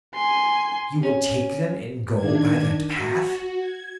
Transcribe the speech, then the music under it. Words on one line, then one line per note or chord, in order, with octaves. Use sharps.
"You will take them and go by that path?"
G#5 C6
C#4
D#3 D4 G#6
F#4
G#6